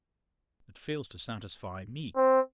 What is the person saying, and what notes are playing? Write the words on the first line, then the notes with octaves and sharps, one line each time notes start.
It fails to satisfy Me.
C4